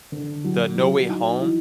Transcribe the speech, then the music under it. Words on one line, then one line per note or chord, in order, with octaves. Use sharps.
the No Way Home.
D3
F#3
F#3
D#4
E3